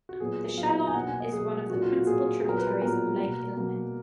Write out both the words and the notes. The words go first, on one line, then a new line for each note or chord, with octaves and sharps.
The Shelon is one of the principal tributaries of Lake Ilmen.
F#4
A#2 F#3 B3 G#4
A#2 F#3 B3 F5
G#5
B2 F#3 A#3 F#5
G#5
D#5
B2 F#3 A#3 G#4
A#2 F#3 A#3 F#4
F4
F#4
A#2 F#3 A#3 G#4
G#4
A#2 F#3 B3 A#4
B4
A#2 F#3 B3 A#4
B2 A#3
B2 A#3